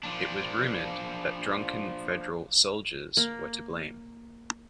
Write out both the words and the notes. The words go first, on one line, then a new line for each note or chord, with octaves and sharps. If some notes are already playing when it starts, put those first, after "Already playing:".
It was rumored that drunken federal soldiers were to blame.
F3 D4
A#3